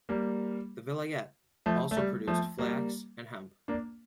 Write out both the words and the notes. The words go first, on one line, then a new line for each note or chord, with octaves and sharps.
The vilayet also produced flax and hemp.
G3 A#3
F3 A3
A3
G3
F3 A3
G3 A#3
A#3 D4